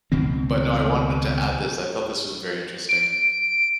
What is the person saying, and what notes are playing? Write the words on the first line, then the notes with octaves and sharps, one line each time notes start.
but no, I wanted to add this I thought this was very interesting.
C#2 B2 D#3 C4
D7